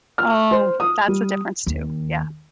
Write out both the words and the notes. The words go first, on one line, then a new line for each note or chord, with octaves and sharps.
Oh, that's a difference too, yeah.
F6
C5
D#6
G3
D#2